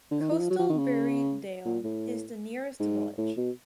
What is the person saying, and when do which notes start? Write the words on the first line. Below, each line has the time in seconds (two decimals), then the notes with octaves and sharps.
Coastal Berriedale is the nearest village.
0.11 D3
0.20 D#3
0.31 E3
0.39 F3
0.50 F#3
0.59 F3
0.69 D#3
0.78 C#3
1.65 A#2
1.84 A2
2.80 G#2
3.18 A2
3.37 B2